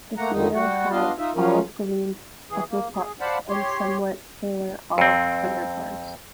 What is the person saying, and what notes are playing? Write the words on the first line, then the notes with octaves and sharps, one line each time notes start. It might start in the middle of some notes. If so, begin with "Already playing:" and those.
The female has olive-green upperparts, and somewhat paler olive underparts.
A3 A#3 F#5 A#5
F2 D3 D#3 D#4
G3 F#4 F#5
B3 D4 F4 D#5 F5
D#4 F4 E5
F3 F#3 C#4 F4 A#4
E3 G#4
A#3
G#4
C5 D5 F5 F#5 A5 B5
G4 C#5 C6
F2 C4